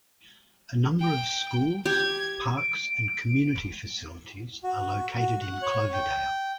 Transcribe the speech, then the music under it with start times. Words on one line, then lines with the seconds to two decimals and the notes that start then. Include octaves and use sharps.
A number of schools, parks and community facilities are located in Cloverdale.
1.00 G5
1.86 G4 G#6
2.57 D7
4.63 F#4
5.19 F#4
5.41 F#5
5.62 C#5
5.93 G5